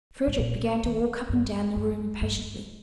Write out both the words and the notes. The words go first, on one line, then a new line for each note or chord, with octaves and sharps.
Frederick began to walk up and down the room impatiently.
G#2
A#2
D#3
G2
G2
G2